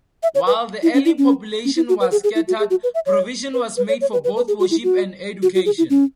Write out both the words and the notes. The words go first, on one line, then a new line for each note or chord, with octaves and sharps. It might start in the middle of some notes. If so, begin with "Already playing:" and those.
While the early population was scattered, provision was made for both worship and education.
E5
C#5
B4
E4
C#4
E4
C#4
C#4
E4
F#4
B4
G#4
G#4
E4
F#4
G#4
F#4
B4
E5
C#5
B4
B4
C#5
C#5
B4
B4
B4
G#4
F#4
E4
F#4
F#4
F#4
G#4
E4
C#4